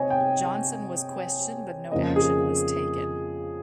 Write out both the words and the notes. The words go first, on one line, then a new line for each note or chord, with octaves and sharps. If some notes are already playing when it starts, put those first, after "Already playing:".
Jonson was questioned, but no action was taken.
Already playing: C3 C4 C#5 D#5 G#5
G5
F2 C#3 F3 A#3 C#4 D#5
G#4